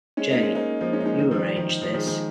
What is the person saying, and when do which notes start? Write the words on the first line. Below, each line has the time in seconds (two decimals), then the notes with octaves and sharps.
Jane, you arrange this.
0.17 G#3 C#4
0.30 A#3 D#4
0.43 G#3 C#4
0.55 A#3 D#4
0.81 F3 A#3
0.93 G#3 C#4
1.01 D#4
1.06 G#3 C#4
1.19 D#3
1.31 F3
1.44 D#3
1.56 D#3
1.69 D#3
1.82 F3
1.94 D#3 G#3
2.07 D#3 G#3